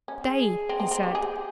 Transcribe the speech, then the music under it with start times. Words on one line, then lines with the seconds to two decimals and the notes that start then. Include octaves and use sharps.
"Stay!" he said.
0.08 C#4
0.23 G#4
0.69 C4
0.80 C4
0.91 C4
1.03 G4
1.15 G4 G#4